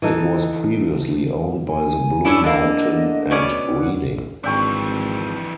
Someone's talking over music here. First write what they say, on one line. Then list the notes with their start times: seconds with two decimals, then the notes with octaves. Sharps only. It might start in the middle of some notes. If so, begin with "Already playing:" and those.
It was previously owned by the Blue Mountain and Reading.
0.02 E3 D#4 A4
1.67 G#5
2.25 C#4 D4 E4
2.44 D3 A#3 D#5
3.31 B2 C#4 D5
3.76 F#5
4.44 G#1 F2 E3 D4 G5 C#6